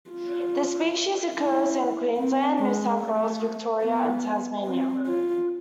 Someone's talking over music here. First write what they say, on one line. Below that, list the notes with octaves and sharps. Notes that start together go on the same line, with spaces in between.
The species occurs in Queensland, New South Wales, Victoria and Tasmania.
F4
E4
C4
G#3
A3
B3
C4
F4